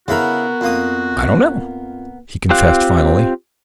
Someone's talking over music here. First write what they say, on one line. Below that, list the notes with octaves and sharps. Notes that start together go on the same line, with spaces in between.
"I don't know," he confessed finally.
C#3 B3 E4 F#4 A#4 B5
F2 A#3 D#6
C4 F4 G4 F5 F#6